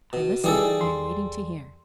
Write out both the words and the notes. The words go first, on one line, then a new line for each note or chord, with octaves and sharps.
"I listen--I am waiting to hear."
B2
E3 G3 D#4 G#4 A4
E2 C6